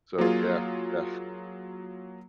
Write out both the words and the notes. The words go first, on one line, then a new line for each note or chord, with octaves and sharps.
so yeah, yeah.
F#3 A#3 F4 G#4